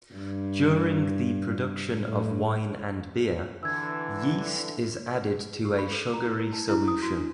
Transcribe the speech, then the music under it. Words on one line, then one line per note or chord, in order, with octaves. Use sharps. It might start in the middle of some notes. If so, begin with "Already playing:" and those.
During the production of wine and beer, yeast is added to a sugary solution.
G2
A2
D3 E3 E6 G#6
G4
B5
A4
A#5
E4
A#4
A5
E4
D#6
F#4
D4